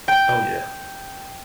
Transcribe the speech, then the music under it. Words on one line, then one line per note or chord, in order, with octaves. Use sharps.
Oh, yeah.
G5